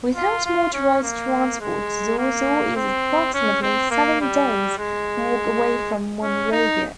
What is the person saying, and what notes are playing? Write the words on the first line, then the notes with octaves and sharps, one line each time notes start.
Without motorised transport, Zorzor is approximately seven days' walk away from Monrovia.
F4
F4
C#4
A#3
G#3
A#3
C4
C#4
C4
A#3
G3
G#3
C#4
D#4